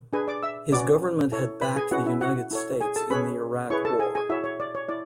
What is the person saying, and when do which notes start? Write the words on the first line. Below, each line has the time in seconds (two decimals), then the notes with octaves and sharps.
His government had backed the United States in the Iraq war.
0.13 D4 G#4 B4 G#5
0.28 D5 D6
0.43 E5 E6
0.72 C#4 F#4 B4 D5 D6
1.32 E4 A4 C#5
1.61 B4 B5
1.76 G#4 G#5
1.91 C#4 E4 F#4 B4 F#5
2.06 E4 E5
2.21 F#4 F#5
2.51 E4 A4 C#5
2.81 G#4 G#5
2.96 A4 A5
3.10 C#4 G#4 B4 C#5 B5
3.70 E4 G#4 B4 C#5 C#6
3.85 A4 A5
3.99 G#4 G#5
4.15 G#4 G#5
4.29 E4 F#4 C#5 E5
4.44 C#5
4.60 D5
4.75 C#5
4.89 E4 D5